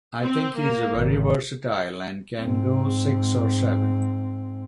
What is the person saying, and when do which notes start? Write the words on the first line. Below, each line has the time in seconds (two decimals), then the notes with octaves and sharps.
I think he is very versatile and can go six or seven.
0.24 C4
0.57 A#3
0.96 G#1
2.42 G#2 C4